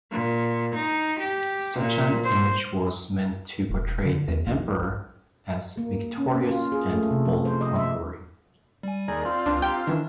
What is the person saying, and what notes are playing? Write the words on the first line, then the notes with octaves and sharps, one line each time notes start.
Such an image was meant to portray the Emperor as victorious and all-conquering.
A#2
D#4
G4
A#2
C5
E1
D3
E2
A#1
A#3
C#4
A#3
F4
G#4
A3
C3
F3
C5
D#5
E5
G3 G#5
D#2 G#4 A#4 D5
C4 F4
C#2 D4
G4 G5 A#5
D#3 E3 D4